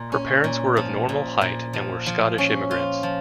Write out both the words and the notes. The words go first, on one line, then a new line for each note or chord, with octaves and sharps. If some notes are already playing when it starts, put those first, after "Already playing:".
Her parents were of normal height and were Scottish immigrants.
Already playing: A#2
C#4
A#2
F3
A#2
A#2
F3
F3
C#4
F4
F3